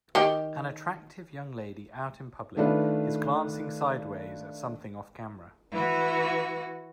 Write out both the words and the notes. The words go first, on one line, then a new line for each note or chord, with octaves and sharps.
An attractive young lady out in public is glancing sideways at something offcamera.
D#3 G4
D#3 A3 D4 F4 B4
E3 F#4